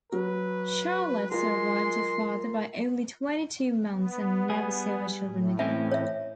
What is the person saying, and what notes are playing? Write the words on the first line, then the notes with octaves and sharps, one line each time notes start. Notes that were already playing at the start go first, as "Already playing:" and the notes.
Charlotte survived her father by only twenty-two months and never saw her children again.
F#3 B4
G#3 F4 A#4 C6
B3
G3 G#4
A2
E3 C4 C#4 E5
C#5 E5